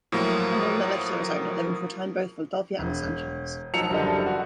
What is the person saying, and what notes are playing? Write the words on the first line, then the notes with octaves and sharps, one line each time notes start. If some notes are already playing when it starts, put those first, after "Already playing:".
Cameron then left Arizona, living for a time in both Philadelphia and Los Angeles.
A2 F3 F#3 A#3
E1
F3 F#3 D#4 E6 C#7 F7
F#1 D3 F3 G3 A4 D#5
F#4